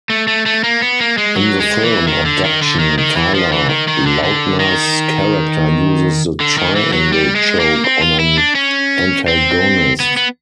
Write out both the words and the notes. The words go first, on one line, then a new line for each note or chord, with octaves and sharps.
In the film "Abduction", Taylor Lautner's character uses the triangle choke on an antagonist.
A3
A3
A3
A#3
B3
A#3
G#3
F#3
G#3
E3
D#3
D3
D#3
D3
D#3
D#3
E3
F3
E3
D#3
D#3
D3
D3
D#3
D3
D#3
E3
F#3
G3
G#3
A#3
C4
F4
E4
D4
C#4
C4
B3
B3